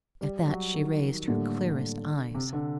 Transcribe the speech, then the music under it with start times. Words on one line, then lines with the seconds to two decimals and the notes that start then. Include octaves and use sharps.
At that she raised her clearest eyes.
0.21 G3
0.48 F#3
0.74 D#3
1.27 A2 D3 G3 A#3 D4
2.34 C3
2.53 D3